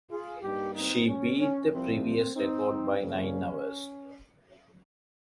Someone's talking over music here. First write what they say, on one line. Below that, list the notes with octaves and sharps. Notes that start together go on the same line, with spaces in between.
She beat the previous record by nine hours.
F4 G#4
G2 G3 A#3 D#4 G4
C4 D#4
C#4
C#4
C2 C3 F3 C4
C4 D#4
F2 C#3 G3 A#3 C#4